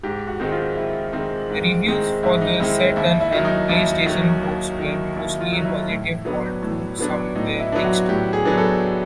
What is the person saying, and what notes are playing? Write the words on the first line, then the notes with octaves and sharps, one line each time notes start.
Reviews for the Saturn and PlayStation ports were mostly positive although some were mixed.
G#2 G4
F#4
D#3 G#3 C4 D#4
F4
G#2 E4
D#3 G#3 C4 D#4
G#2
D#3 G#3 C4 D#4
G#2 E4
D#4
D#3 G#3 C4 D#4 E4
D#2 E4
E4
D#3 F#3
D#4
D#2 E4
D#3 F#3
D#2
D#3 F#3
D#2 E4
F4
D#3 F#3 D#4
E4
A2
F#3 B3 D4
A2
F#3 B3 D4
A2 D#4
E4
F#3 B3 D4
F#4
A2 G4
G#4
F#3 B3 D4
A4